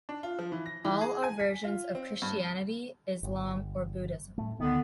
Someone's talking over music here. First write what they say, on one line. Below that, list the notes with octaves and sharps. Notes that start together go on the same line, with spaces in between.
All are versions of Christianity, Islam or Buddhism.
D4
F4
F3
E3
A#6
E3
G#4
G#5
B6
F4
C4
G2
G1
A2 A3
D2 D3 D#3 B3